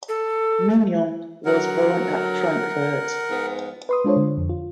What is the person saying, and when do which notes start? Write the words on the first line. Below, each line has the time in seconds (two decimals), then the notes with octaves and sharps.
Mignon was born at Frankfurt.
0.09 A4
1.45 D3 F#3 A#4 F#5
3.29 G#2 F3 B3
3.89 B4 C6 D#6
4.04 G#3 D4 F4 A4 C5 C#5
4.17 D3
4.38 F2
4.49 F4